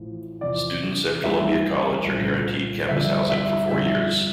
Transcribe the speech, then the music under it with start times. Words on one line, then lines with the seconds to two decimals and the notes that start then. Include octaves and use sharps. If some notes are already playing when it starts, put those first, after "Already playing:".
Students at Columbia College are guaranteed campus housing for four years.
Already playing: A1 A2 F3
0.41 E2 C3 F3 D5
1.24 A1 G2 F3 E5
2.06 C2 A#2 F3
2.89 G1 F2 D3 G3 E5
3.30 E5
3.71 G1 F2 D3 E5